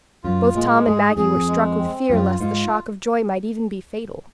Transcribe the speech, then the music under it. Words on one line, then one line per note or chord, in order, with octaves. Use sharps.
Both Tom and Maggie were struck with fear lest the shock of joy might even be fatal.
F#2 F4
A#2 G#3
G#2 G#4
F2 G#4
G#3
C4
F#2 F4
G#2 F4